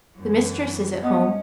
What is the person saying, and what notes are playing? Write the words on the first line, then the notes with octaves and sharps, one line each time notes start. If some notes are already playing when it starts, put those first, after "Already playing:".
The mistress is at home.
F#2 E3
B3 C#4 D#5